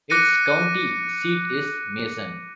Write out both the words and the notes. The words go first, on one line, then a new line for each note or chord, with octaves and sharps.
Its county seat is Mason.
D6 F#6 A#6 C#7 D#7